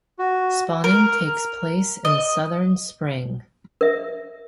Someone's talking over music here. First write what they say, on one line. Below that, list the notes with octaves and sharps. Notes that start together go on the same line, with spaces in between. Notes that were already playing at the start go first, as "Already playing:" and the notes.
Spawning takes place in southern spring.
F#4
A#4
D#5
A#4 E5